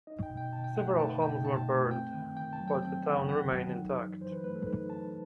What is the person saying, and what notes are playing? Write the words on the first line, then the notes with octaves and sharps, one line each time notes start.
Several homes were burned, but the town remained intact.
D#4 D#5
G5
B2
G5
B2 A5
G5
A3 F#5
E5
D#4 A5
B2 G5
B2 A5
A3
C4 G5
D#3
D#3 G5
A5
F#3
G5
C4 G5
D#3 F#5
D#3 F#5
F#3
D#4
E3
E3 C5
B4
A3 B4
A4
D#4 B4
E3 A5